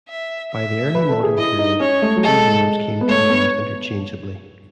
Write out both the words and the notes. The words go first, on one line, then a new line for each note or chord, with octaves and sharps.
By the Early Modern Period, these names came to be used interchangeably.
E5
E5
B4
A4
G#4
E4 D#5
D#4
C#4 C#5
A3
F#3
G#3 A4
B3
A3 C#5
B3